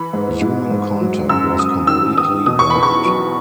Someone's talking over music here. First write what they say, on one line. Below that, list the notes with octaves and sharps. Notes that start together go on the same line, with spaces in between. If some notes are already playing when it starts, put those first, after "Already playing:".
Human contact was completely banned.
Already playing: E3 B5
G#2
G#2
G#2
F#3
F#2 E6
F#2 D#6
D#3 E6
E2 D#6
B2 D#6
C#6
E2 B5
C#6
F#3